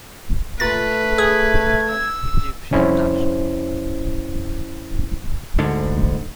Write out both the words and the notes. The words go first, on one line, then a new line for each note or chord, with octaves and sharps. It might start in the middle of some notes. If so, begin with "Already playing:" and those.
She is a French and Egyptian national.
A#2 A3 B4 A6
G#4 G#6
E6
C2 F2 C#4 E4 C5
D2 G#2 D3